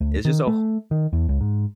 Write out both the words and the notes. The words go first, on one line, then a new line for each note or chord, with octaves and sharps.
it's just a wh
D2
D#3
A3
D#3
E2
C#2
G#2